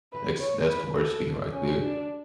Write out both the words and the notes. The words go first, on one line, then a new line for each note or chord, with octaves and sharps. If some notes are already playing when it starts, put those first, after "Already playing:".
That's that's the worst thing right there.
B4
C#5
B4
A4
C#4
D4